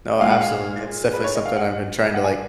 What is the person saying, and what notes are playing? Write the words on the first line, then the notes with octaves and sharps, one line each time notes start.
No, absolutely, it's definitely something I've been trying to, like,
A#2 G#3 F5
F#5
F5
B4
C#5
D#5
F5
F#5
F#5
G#5